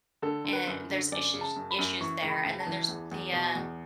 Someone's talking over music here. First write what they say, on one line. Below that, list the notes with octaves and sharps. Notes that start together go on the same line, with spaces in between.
and there's issues issues there. And then there's the, uh,
D3 A4
D3
B4
F#2
D3
F#2 D5
C#3
A5
F#2
B5
F#2
E3 C#6
C#2
B5
C#2
A5
E3
E2
E2
B2
E2